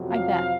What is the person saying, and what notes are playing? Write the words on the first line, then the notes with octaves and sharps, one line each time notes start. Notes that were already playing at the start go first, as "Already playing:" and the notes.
I bet.
Already playing: F2 C3 F#3
F5
F5